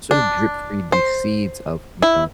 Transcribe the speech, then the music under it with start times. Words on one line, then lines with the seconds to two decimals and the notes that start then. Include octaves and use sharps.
sort of drip-feed these seeds of, you know,
0.11 D4
0.92 C5
2.02 E4